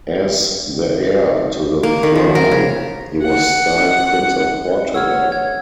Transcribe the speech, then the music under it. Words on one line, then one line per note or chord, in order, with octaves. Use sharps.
As the heir to the throne he was styled Prince of Portugal.
A#3
D#3
F3
A#4
C#3
F#5
C#5 F#5 E6 F6
G#6